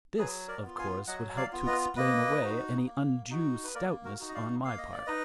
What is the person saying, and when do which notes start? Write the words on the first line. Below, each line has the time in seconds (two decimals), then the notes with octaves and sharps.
This of course would help to explain away any undue stoutness on my part.
0.18 F#3 G#4 B4
0.48 A#4 D5
0.63 B3 F4
0.79 F5 G#5
1.07 F#3 D#5 F#5
1.37 D5 F5
1.52 B3 F4
1.67 B4 D#5
1.96 A#3 B4 D#5
2.41 D#4 F#4
2.87 A#3
3.31 D#4 F#4
3.64 B4
3.75 A#3 A#4 D5
4.05 F#4 A#4
4.20 D#4 F#4
4.28 D#5
4.34 D5 F5
4.64 A#3 F5
4.78 D#5
4.92 D5
5.06 D#4 B4 D#5